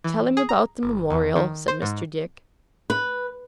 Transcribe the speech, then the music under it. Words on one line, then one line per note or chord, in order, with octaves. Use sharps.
'Tell him about the Memorial,' said Mr. Dick.
E3
G#4
A#5
G1
E2
D#3
C5
G#2
B4